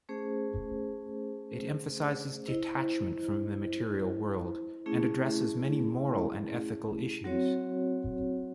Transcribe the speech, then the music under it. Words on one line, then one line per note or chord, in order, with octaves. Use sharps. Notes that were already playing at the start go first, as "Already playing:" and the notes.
It emphasizes detachment from the material world, and addresses many moral and ethical issues.
A3 C#4 G#4 C5
E4 C5 D#5
A3 C#4 E4 G#4
F#3 C4 F#4 C#5